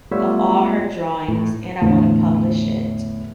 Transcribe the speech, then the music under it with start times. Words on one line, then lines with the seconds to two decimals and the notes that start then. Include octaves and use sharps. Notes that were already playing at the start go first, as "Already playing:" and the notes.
of all her drawings, and I wanna publish it
0.11 G3 A3 B3 F4 C#5 E5
1.28 A2
1.81 E2 A2 D3